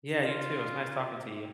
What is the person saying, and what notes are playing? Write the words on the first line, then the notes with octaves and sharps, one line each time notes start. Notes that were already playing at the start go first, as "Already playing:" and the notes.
Yeah, you too. It was nice talking to you.
F4